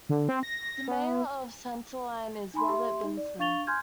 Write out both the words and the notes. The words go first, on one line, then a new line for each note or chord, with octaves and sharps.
The mayor of Center Line is Robert Binson.
D3
C4
A#6
B3
D#4 G#5 B5 C6
G4 E5 C6
D#4
D5
D4 F5 C#6 A6 F7 G7
G#5 C6 F6 G6 G#6